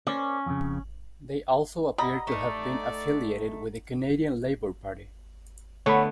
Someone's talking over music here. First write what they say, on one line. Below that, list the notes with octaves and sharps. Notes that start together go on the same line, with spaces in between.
They also appear to have been affiliated with the Canadian Labour Party.
C#4 A#4 C5 D5
F2 C#3
G3 E4 D#5 F#5 A#5 B5
A3 D#4 A4 D5
D3 A3 B3 C#5 B5